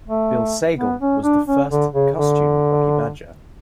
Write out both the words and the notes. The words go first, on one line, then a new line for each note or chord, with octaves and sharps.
Bill Sagal was the first costumed Bucky Badger.
A3
B3
C#4
D4
C#4
D3
C#3
D3